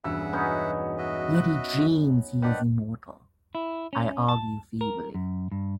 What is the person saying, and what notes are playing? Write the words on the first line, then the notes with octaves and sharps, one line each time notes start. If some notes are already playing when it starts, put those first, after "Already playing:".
Yet he dreams he is immortal, I argue feebly.
E1 G2 C#3 F#3 E5 F#5 E6
B3 C#4 D#4
F#4 D#5 E5
F#6
D#3 D4 B4 F#5
E4
C#4
A5
A#4
F#2
G2